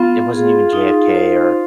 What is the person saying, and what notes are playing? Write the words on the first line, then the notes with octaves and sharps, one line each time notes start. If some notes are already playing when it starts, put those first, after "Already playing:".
it wasn't even JFK or
Already playing: B3 F4
F4 G#4
D#4
C5